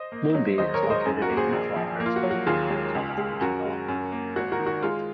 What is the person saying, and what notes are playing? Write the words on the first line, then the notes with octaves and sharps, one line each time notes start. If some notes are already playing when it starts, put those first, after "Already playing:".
Moonbi is located a few kilometres to the north of the town of Kootingal.
Already playing: C5 D#5
A#3
F#3
D#2 C5 D#5
A#4 C#5
G#3
C5 D#5
F#2
F#4 A#4
A#3
G#4 C5
A#1
F3
A#3
F4
F#4
F#3
F#4
D#2 F4 G#4
G#3
C#2
G#3
F#2 F#4 A#4
G#3
F#2
A#3
G#1 F#4
F#4 A#4
D#3
F#4
G#3 F4